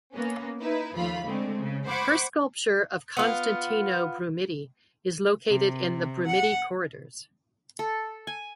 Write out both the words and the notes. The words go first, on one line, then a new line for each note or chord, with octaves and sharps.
Her sculpture of Constantino Brumidi is located in the Brumidi Corridors.
A#3 B3 C#4
D#4 E4 B4
D#2 F3 A3 F4 B5
D3 G#3 A3 C4
C#3
C5 F#5 B5 C#6 D6 G#6
B3 F4
C3
F#5
A4
G#5